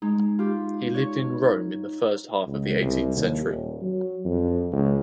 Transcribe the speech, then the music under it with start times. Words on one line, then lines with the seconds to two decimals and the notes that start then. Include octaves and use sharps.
He lived in Rome in the first half of the eighteenth century.
0.02 G#3 D#4
0.39 F4 G4
0.94 C#5
2.47 C#2
2.81 C2
3.16 D#2
3.46 D#1
3.82 F#3
4.25 F2
4.72 C#2